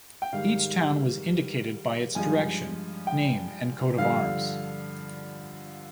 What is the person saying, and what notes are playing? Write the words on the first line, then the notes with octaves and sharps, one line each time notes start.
Each town was indicated by its direction, name, and coat of arms.
G5
G#2 D#3 G3 F5
G2 F3 G#3 G#5
G5
G2 D3 F3 F5